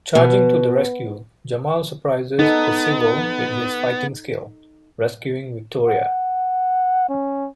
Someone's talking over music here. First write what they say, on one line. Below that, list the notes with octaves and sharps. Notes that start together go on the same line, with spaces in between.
Charging to the rescue, Jamal surprises Percival with his fighting skills, rescuing Victoria.
B2
B3 D#4 A4
F#5
C#4